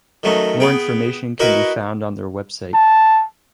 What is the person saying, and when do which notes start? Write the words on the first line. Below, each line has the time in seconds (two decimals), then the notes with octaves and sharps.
More information can be found on their website.
0.23 D#3 F#3 A3 C#4 D#4
0.60 B3 G#4 G5
1.40 E4 F#4 A#4 B4 D#5 E5
2.74 A5